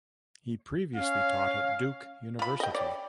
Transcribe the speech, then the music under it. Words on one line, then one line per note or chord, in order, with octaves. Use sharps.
He previously taught at Duke University.
C#4 F5
F4 B5
D#5 G5
C#5 D5